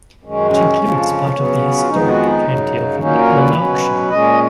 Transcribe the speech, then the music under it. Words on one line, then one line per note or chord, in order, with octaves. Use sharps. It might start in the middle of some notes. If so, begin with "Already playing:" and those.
It includes part of the historic county of Lanarkshire.
F#2 D#3 G#3 C#4
C#4
F2 C#3 F3
C#3 F#3 B3
F4
F2 D#3 G#3 B3 D#4
F#4
D#4
F#2 C#3 F#3
A#2 F#3 A#3 C#4 D#4
A#4
B4
B2 F#3 C#4
A#2 G#3 C#4 D#5